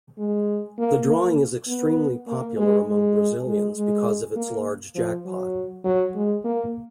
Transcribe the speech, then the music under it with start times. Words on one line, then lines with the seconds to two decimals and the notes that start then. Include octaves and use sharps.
The drawing is extremely popular among Brazilians because of its large jackpot.
0.18 G#3
0.78 A#3
1.08 A#3
1.67 B3
2.27 A#3
2.57 G#3
2.87 G#3
3.47 G#3
3.77 G#3
4.36 A#3
4.96 F3
5.26 F#3
5.84 F#3
6.15 G#3
6.44 A#3